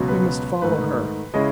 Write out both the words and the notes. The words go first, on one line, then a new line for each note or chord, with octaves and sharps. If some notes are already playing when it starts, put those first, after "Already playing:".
"We must follow her."
Already playing: C#2 B2 F#3
B4
G#2 D#3 A3 D#4 B4
C#3 G#3 C#4 E4 D#5